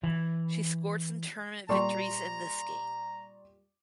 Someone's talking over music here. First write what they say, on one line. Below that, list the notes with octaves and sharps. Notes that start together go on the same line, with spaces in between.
She scored some tournament victories in this game.
E3
A#2 G3 D5 A#5 C6 C#6